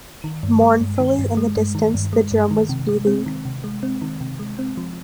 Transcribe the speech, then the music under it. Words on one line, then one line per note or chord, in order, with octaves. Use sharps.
Mournfully, in the distance, the drum was beating.
D#3
G2
G#3
G2
D#3
G2
G#3
G2
D#3
G2
G#3
G2
D#3
C3
G#3
C4
D#3
C3
G#3
C4
D#3
C3
G#3
C4
F3